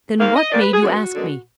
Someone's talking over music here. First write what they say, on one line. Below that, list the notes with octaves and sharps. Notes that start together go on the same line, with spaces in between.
Then what made you ask me?
G#2 D#3 A#3 F5
D#5
G#2 D#3 A#3 D5
B4
G#4
F#2 D3 G#3 B3 F#4
F#2 D3 G#3 B3